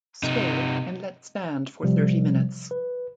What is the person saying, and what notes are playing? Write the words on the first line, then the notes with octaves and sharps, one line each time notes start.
Stir and let stand for thirty minutes.
C3 D#4
C3 F3 G3
B4